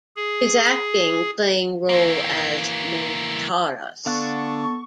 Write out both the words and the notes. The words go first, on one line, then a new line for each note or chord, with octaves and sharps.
His acting playing role as Mojarras.
G#4
E3 A#3
D3 B3 D4 A4 F5 C#6 F#6